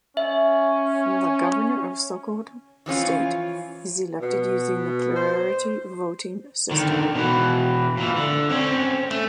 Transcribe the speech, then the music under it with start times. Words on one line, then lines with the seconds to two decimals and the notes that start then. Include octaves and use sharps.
The Governor of Sokoto State is elected using the plurality voting system.
0.17 C#4 E5
2.86 E3 F3 C#4 F4
4.20 B2
5.15 C5
6.71 D3 D#3
7.15 B2 E3
7.97 A#2 E3
8.17 D3
8.49 C4 C#4
9.11 A3